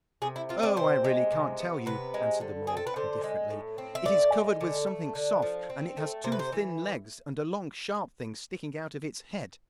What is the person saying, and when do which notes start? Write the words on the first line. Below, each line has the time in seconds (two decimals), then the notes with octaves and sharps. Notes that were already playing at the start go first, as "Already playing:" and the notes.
'Oh, I really can't tell you,' answered the mole, indifferently; 'it is covered with something soft, and it has two thin legs, and a long sharp thing sticking out of its head.'
0.22 C3 G#4
0.36 E4
0.49 C4 F4
0.63 D5
0.77 C3 C5
1.04 G#3
1.32 C3
1.59 B3
1.86 C3 B4
2.14 G#3
2.41 D3
2.67 C4 G#4
2.77 A4
2.87 B4
2.96 D3 C5
3.24 G#3
3.50 A2
3.78 C4
3.95 E5
4.05 A2 D5
4.33 G#3
4.61 D3
4.87 A3
5.15 D3
5.42 F3
5.70 C4
5.97 A3
6.24 C3 C5
6.32 B4
6.39 C5
6.53 E3